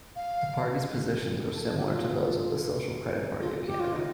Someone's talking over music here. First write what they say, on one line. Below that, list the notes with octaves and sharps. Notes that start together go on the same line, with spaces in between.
The party's positions were similar to those of the Social Credit Party of Canada.
F5
A#4
A4
A4
G4
F4
F4
G4
F4
D#4